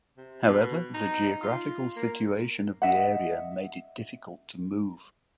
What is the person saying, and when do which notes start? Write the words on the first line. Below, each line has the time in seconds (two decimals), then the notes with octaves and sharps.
However, the geographical situation of the area made it difficult to move.
0.17 C3
0.46 B2
0.94 D#4
1.42 F4
1.97 A#3
2.82 D#5 E5 F#5